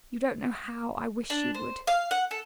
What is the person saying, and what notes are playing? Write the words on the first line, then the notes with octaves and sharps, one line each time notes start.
'You don't know how I wish you would.
D4
C5
F5
F#5
A4